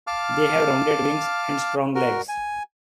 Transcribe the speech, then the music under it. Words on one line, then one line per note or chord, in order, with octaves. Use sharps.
They have rounded wings and strong legs.
F5 A5 D6 F6
F#4 A#4
G#5